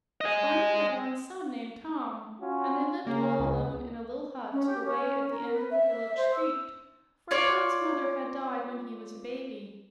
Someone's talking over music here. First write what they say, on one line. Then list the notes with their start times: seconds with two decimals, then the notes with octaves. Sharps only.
Barney had one son, named Tom; and they lived all alone in a little hut away at the end of the village street, for Tom's mother had died when he was a baby.
0.21 D#5 G#5
2.41 C#4 F4 F#4
3.07 C#3 A#3
3.40 C#2
4.53 C#4
4.67 G4
4.84 C#4
5.31 A#4
5.53 B4
5.70 E5
6.17 C5
6.33 E6
7.31 F4 C#5 D5